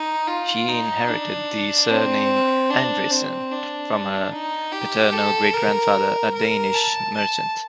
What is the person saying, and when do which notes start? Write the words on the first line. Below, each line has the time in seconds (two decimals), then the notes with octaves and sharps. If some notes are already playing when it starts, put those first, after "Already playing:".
She inherited the surname 'Andresen' from her paternal great grandfather, a Danish merchant.
Already playing: D#4
0.28 F4
0.68 D#4
1.09 D4
1.90 C4
2.70 D4
3.11 C4
3.51 D4
4.32 D#4
4.72 G4
5.13 A4
5.53 A#4
6.34 A#4
6.74 A5
7.14 A5